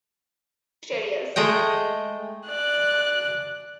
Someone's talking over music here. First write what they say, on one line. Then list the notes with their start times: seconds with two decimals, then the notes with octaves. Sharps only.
Nowadays the creation of town and parish councils is encouraged in unparished areas.
1.36 G#3 A3 D#5 G5
2.47 D5 F#6